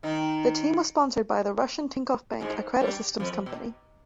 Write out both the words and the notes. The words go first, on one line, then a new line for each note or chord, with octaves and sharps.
The team was sponsored by the Russian Tinkoff Bank, a credit systems company.
D#3 D#4
G#2 G#3
G2 G3
F2 F3
B2